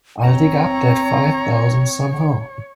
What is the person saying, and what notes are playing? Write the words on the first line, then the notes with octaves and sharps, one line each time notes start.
I'll dig up that five thousand somehow.
F#1 C4 C#5 A#5